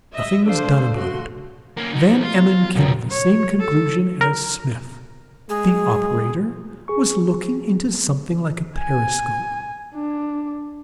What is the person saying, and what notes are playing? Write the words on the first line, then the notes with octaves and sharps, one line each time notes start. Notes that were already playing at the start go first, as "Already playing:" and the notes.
Nothing was done about it. Van Emmon came to the same conclusion as Smith; the operator was looking into something like a periscope.
D#5 E5
D4 A4 C5 F5
A3 F#4 C6
A#3 C#4
F#3 D#4
F4
F1 F2 B2 A#4
C#5
A4
A#4
G#3 G#4
G#4 C#6
G#5
D4